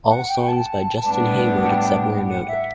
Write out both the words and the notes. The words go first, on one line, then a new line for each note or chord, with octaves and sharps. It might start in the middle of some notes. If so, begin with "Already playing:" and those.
All songs by Justin Hayward except where noted.
F#5
G5
G5
A5
A2 G3 B3 D4
F#5
G5
F#5
E5